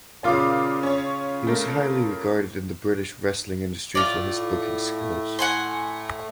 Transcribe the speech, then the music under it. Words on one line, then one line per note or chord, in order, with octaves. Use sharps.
He was highly regarded in the British wrestling industry for his booking skills.
A#2 C#3 F4 F5 D6
C#4 C#5
A3 A#3
A2 A3 F4 D5
F#5 G#5 C6